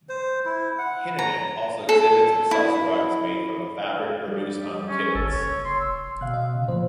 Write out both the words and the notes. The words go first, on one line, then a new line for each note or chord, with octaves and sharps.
"Hinnanit" also exhibits and sells rugs made from the fabric produced on the kibbutz.
C5
E4
F#5
A#5
A4
E4
G3
C#4
G1 A4
F#1 C#5
C6
E6
B2 F5 F#6
D#5
C#3
A#2 F3 C5